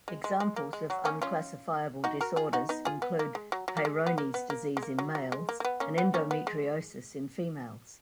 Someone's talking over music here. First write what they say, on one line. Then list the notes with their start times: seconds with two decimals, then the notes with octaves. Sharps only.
Examples of unclassifiable disorders include Peyronie's disease in males and endometriosis in females.
0.08 G#3
0.24 G#3
0.40 G#3
0.56 A#3
0.73 G#3
0.90 F#3
1.05 A#3 C#4
1.22 C#4 F4
2.04 D#4 F#4
2.21 F#4 A#4
2.36 F4 G#4
2.53 D#4 F#4
2.69 B3 D#4
2.85 F4 G#4
3.02 B3
3.19 A#3
3.35 G#3
3.52 F#3
3.68 F#3
3.77 A#3
3.85 G#3
4.07 B3
4.18 A#3
4.34 B3
4.50 A#3
4.77 G#3
4.83 A#3
4.99 F#3
5.15 F#3
5.32 G#3
5.49 A#3
5.60 A#3
5.65 B3
5.80 A#3 C#4
5.98 B3
6.14 A#3 C#4
6.31 B3
6.47 G#3